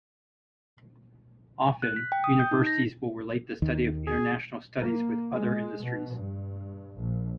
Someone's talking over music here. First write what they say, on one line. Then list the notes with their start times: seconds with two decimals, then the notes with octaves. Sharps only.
Often, universities will relate the study of International studies with other industries.
1.82 F#6
1.96 B6
2.12 G5
2.24 D#6
2.40 G6
2.51 D#4
2.67 A#6
3.62 D#2 D#3
4.07 G#4
4.75 A#3
5.32 G#3
5.84 B2
6.15 G2
6.97 A#1